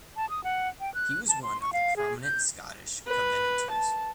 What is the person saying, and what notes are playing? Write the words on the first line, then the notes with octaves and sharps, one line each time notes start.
He was one of the prominent Scottish Covenanters.
A5
D#6
F#5
G5
F#6
A5
C6
C#6
F5
G#4
G6
B4
A5